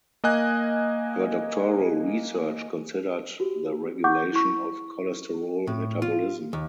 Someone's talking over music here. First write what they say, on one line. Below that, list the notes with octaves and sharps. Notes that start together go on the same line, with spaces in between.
Her doctoral research considered the regulation of cholesterol metabolism.
A#3 D#5 G#5 F#6
F#4 G4
F#5 C#6 D6 G6
E4 C#6
A2
F4
D#2